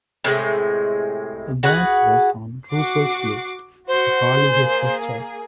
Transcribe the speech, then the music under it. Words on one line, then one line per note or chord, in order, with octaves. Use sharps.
Byrnes was on Roosevelt's list but hardly his first choice.
A2 C3 D#3 G#3
F#4 G#4 B4 F#5
F#4 D6 C7
F#4 C5
A#3 G#4